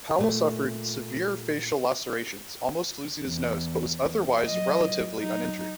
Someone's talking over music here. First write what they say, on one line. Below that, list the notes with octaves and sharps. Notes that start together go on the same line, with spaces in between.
Powell suffered severe facial lacerations, almost losing his nose, but was otherwise relatively uninjured.
A#2 A3
E2
F#3 D#5
F#3 D#4